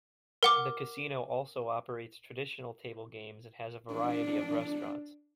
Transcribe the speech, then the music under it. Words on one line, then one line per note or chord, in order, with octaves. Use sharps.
The casino also operates traditional table games and has a variety of restaurants.
A#4 F#5 D6
D4